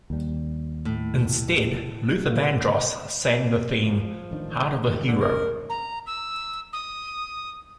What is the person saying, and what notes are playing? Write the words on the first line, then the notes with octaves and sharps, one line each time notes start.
Instead, Luther Vandross sang the theme, "Heart of a Hero".
D#2 G3
A2
A#2 A#3
F3
A1 D#3 D4
D#3 E3 G#3
D3
F#1 D2 C#3 A#4
A#5
E6
D#6